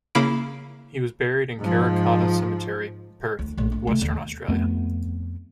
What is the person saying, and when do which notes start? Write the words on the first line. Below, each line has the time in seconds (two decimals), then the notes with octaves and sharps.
He was buried in Karrakatta Cemetery, Perth, Western Australia.
0.15 C#3 A#3 E4 F5 B5 D7
1.59 G#2 F3
3.39 D2
3.57 A#1 A2
3.72 A2
3.87 C3 A3
4.01 D#2 D3
4.48 F2 A3 B3